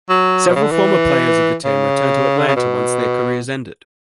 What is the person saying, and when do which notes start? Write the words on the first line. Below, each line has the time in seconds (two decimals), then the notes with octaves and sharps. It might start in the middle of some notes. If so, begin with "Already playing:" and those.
Several former players of the team returned to Atlanta once their careers ended.
0.09 F#3
0.48 B2
0.56 C#3
0.63 D3
0.71 E3
1.64 C#3
2.38 D3
2.48 C#3
2.56 B2